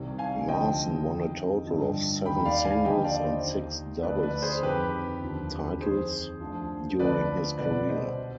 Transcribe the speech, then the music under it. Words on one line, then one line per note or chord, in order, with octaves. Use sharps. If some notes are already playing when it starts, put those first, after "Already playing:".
Larsson won a total of seven singles and six doubles titles during his career.
Already playing: C2 C3 D#3
F5 G#5
D2 D3 F3 D#5 G5
F2 D#3
G2 D3 F3
D#2 D#3 G5 B5
D5 F5
F5 G#5
D#2 D3 F3 D#5 G5
D5 F5
C5 D#5
D#2 D#3
D2 D3 F3 B4 D5
B4 D5
G#4 C5
F2 D#3 G4 B4
D#2 D3 F3
F2 D#3 G#4 C5
D2 D3 F3
D2 D3 F3 B4 D5
C2 B2 B4 D5
C5 D#5
B2